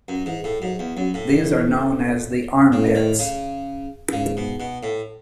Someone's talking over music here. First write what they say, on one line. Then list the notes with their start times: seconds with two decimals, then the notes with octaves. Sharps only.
These are known as the "armpits".
0.08 F#2
0.26 G#2 E3
0.44 A2
0.61 G#2 F#3
0.79 E2
0.97 F#2 F#3
1.14 A2
1.31 E3
2.72 A2 C#3
2.95 D#3
3.19 C#3
4.12 G#2 C#3
4.37 B2
4.60 B2
4.83 A2